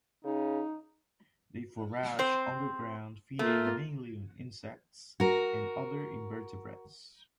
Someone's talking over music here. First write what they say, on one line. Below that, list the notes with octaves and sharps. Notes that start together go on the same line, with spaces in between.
They forage on the ground feeding mainly on insects and other invertebrates.
C#3 D#4
C4 C5
A3 A#3 F4
F#4 A#4